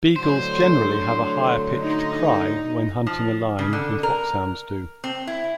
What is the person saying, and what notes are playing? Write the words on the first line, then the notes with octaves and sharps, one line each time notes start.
Beagles generally have a higher pitched "cry" when hunting a line than foxhounds do.
A2 D3 F#3 C5 C6
D#4
F3
C#3
D3
A#4
C4
E4